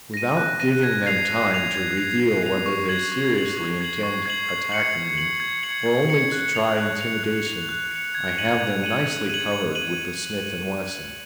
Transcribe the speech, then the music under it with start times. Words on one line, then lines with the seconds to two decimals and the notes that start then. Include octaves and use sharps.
Without giving them time to reveal whether they seriously intend attacking me, or only to try intimidation, I have them nicely covered with the Smith & Wesson.
0.14 A#6 D#7
0.37 F#6
0.60 A#6 D#7
0.83 G#6
1.06 C7 F7
1.29 G#6
1.51 C7 F7
1.75 G#6
1.97 C7 F7
2.20 G#6
2.43 C7 F7
2.66 C#6
2.89 G#6 C7 F#7
3.12 C#6
3.34 G#6 C7 F#7
3.57 C#6
3.81 G#6 C7 F#7
4.03 C#6
4.26 G#6 C7 F#7
4.49 G#6
4.72 C#7 F#7
4.95 G#6
5.18 C#7 F#7
5.40 G#6
5.63 C#7 F#7
5.86 G#6
6.09 C#7 F#7
6.32 F#6
6.55 C#7 F7
6.78 F#6
7.01 C#7 F7
7.23 F#6
7.46 C#7 F7
7.69 F#6
7.92 C#7 F7
8.15 G#6
8.38 D#7 F#7
8.61 G#6
8.84 D#7 F#7
9.06 G#6
9.30 D#7 F#7
9.52 G#6
9.75 D#7 F#7